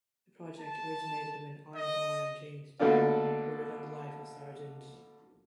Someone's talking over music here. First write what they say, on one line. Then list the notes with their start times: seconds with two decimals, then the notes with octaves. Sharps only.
The project originated when Einhorn and James Dao reported on the life of Sgt.
0.60 A5
1.76 D#5
2.79 B2 D3 A3 A#3 D4 F4